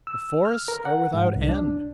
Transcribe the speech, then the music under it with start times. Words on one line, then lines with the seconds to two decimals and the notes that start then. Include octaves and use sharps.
The forests are without end.
0.07 E6
0.45 F6
0.68 A#4
0.85 F#5
1.14 G#2
1.36 C2
1.49 D4